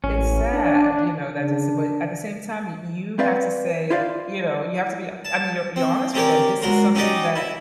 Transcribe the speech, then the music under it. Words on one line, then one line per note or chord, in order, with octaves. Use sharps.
it's sad, you know, that it's but at the same time, y you have to say, you know, you have to be I mean, you're you're honest with them, this is something that
A1 C#4
D4
C#3 D4
C4 B4 D5 F5
E4 F4 C5 D5 F5
A5
C4
C4 C#4 G4 A#4 C#5 D5
C#2 F#4 A#4 C6
C#4 D#4 F#4 G4 D5 D#5
E4